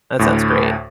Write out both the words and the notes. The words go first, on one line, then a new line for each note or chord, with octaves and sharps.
That sounds great.
D2 A2